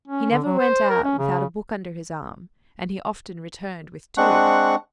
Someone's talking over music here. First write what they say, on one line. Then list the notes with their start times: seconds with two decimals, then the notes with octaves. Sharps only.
He never went out without a book under his arm, and he often returned with two.
0.08 C#4
0.31 D3
0.45 F#3
0.59 C5
0.90 A#4
1.04 C#4
1.19 C#3
4.17 G#3 C4 D4 F#5 C#6 F#6